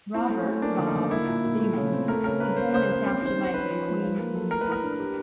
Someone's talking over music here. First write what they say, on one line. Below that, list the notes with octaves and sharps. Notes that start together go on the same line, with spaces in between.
Robert "Bob" Beamon was born in South Jamaica, Queens, New York.
C4 E4
A3
C#4
A3
A#3 D4
D3
D#4
D3
A#3 E4
A#2
A#2
A3
C#3
C4
A3 A#4
C#3 A#4
C#4 B4
A#3 C5
C#3 C5
C#4 C5
C4 C5
D#3 C5
D#4
C5
C#4 B4
F3
F3
F4
A#3
A4
A3 A#4
B4
A2 A#4
D4
G4